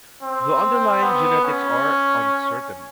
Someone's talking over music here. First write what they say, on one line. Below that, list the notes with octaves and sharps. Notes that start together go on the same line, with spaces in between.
The underlying genetics are uncertain.
C4
B3
C#4